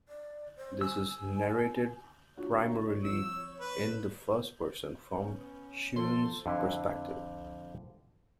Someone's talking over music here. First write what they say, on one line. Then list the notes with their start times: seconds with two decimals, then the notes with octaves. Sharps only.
This is narrated primarily in the first person, from Chiun's perspective.
0.09 D5
0.57 C5
0.81 G#5 E6
2.38 D4 F4 F#4 C#5
3.04 F2 F3 E6
3.60 B4
5.13 B3 C#4
5.96 F3 A4 C6
6.46 F2 D3 E4